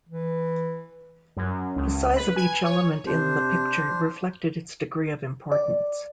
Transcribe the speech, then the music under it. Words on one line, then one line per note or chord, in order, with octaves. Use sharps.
The size of each element in the picture reflected its degree of importance.
E3
F#2
C#2
B4
G#5
C#5
C3 D4 C5
D5